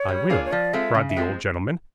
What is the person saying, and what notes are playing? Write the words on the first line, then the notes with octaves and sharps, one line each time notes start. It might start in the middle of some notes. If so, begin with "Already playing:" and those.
'I will!' cried the old gentleman.
Already playing: C#5
G3
A#3 D4 F4 G#4
C#5
F3 D5
G#3 C4 F4 A4 E5
C#3
E5
F3 G#3 C4